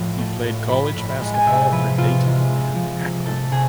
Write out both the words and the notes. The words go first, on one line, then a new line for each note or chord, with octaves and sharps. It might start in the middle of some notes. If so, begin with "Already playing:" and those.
He played college basketball for Dayton and Akron.
Already playing: A2 F3
A3
A2
F3 B5
A2
G#3
G#5
C3 E5
F3 B4
C3 F4
G#3
C3
F3
C3
A3 A4
C3 G#4